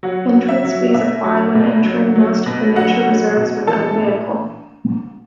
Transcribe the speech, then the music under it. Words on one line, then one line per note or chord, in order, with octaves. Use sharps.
Entrance fees apply when entering most of the nature reserves with own vehicle.
F#3 F#4 F#5
F#3
E5
F#3
B2 E5
F#3
B2
F#3
F#3
B2
F#3 F#4 F#5
F#3
B2
E3 A4 A5
A2